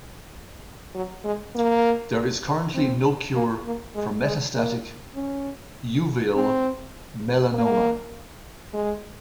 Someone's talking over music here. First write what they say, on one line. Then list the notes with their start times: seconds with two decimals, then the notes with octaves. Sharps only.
There is currently no cure for metastatic uveal melanoma.
0.95 F#3
1.24 G#3
1.55 A#3
2.75 C4
3.35 A#3
3.65 A#3
3.95 G#3
4.24 G#3
4.55 A#3
5.15 C#4
6.35 C4
7.54 A#3
8.74 G#3